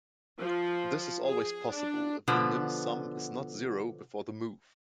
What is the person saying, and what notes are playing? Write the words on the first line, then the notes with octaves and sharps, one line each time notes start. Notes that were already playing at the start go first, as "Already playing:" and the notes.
This is always possible if the nim-sum is not zero before the move.
F3
G#4
D4
B2 D3 F3 B3